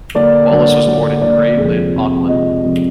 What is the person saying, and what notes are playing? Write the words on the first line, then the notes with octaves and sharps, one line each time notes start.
Wallace was born in Grey Lynn, Auckland.
D3 F#3 A#3 D4 D5
D3 F#3 A#3 D4
D3 F#3 A#3 D4
D3 F#3 A#3 D4 D5
F2 C3 F3 G#3 C4
F2 C3 F3 G#3 C4
F2 C3 F3 G#3 C4 D#5
F2 C3 F3 G#3 C4